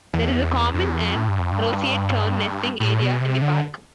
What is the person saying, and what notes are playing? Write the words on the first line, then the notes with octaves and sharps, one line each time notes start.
There is a common and roseate tern nesting area in the park.
E2
F2
E2
F2
A2
G2
F2
G2
A2
B2
C3
D3